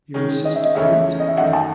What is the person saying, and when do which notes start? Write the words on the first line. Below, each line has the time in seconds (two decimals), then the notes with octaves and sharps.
"You insist upon it?"
0.14 D#3 G#3 C#4
0.45 D#5
0.56 E5
0.65 D#5
0.75 E2 C#3 E3 A3 C#4 E5
1.20 D#5
1.28 E5
1.37 F#2 F#5
1.40 D#3 A3
1.53 A5